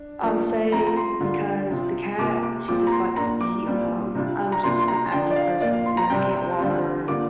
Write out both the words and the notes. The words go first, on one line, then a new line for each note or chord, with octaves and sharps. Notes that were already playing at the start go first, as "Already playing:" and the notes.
um, say, because the cat, she just likes to eat, um, I’m just an active person, and I can’t walk her,
Already playing: D4
F3 A#3 D4
F3 C4 F4 A#5
A#5
C6
D3 G3 D4 F4
C3 F3 C4 F4
C3 A#3 F4 D6
D6
A#2 F3 C4 F4 D6
A#5
C6
A#2 A#3 D4 A#5
D6
A#2 G3 C4 F4
C3 G3 D4 F4
A#5
C3 A#3 D4 F4 C6
C6
A#5
D3 F3 D4 G5
D5
F5
A#2 A#3 F4 D5
F5
C6
A#5
C3 G3 C4 G5
D3 G3 C4 F4
D3 A#3 F4 D6